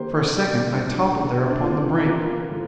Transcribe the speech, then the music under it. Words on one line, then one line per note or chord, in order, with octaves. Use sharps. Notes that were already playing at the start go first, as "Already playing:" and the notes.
For a second I toppled there upon the brink.
Already playing: D3 A#3 G4 C5
A#2 G3 A#3 D4
C4
D4
C3 A#3 C4 F4
F4 A#4
D3 F3